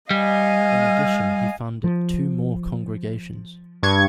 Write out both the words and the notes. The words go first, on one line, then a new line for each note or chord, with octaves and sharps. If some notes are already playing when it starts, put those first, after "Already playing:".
In addition he founded two more congregations.
G3 D#5 F5 G#5
F3
G2 C#6 G#6